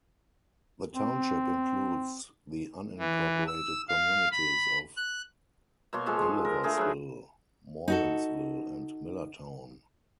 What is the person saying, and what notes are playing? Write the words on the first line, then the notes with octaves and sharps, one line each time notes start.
The township includes the unincorporated communities of Welliversville, Mordansville, and Millertown.
C4
E3
E6
F5
B5
F#6
B2 A#3 C#5 C6
F3 G#3 A4 C#5
C6
A#4
D3 A3 G#4 A#4
F#3 B4
D#4 F#4 A4